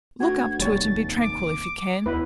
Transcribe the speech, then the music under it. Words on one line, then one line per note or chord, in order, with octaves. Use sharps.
Look up to it, and be tranquil if you can.
D2 F#4 G#6
F1 D#2 G3 C#5 A6
D6
D#2 B3 E4 B4